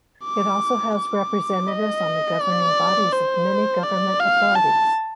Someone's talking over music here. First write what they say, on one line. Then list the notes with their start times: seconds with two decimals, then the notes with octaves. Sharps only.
It also has representatives on the governing bodies of many government authorities.
0.25 D6
0.97 D6
1.68 D#5
2.40 D5
3.12 C5
3.83 D5
4.20 F5
4.55 A5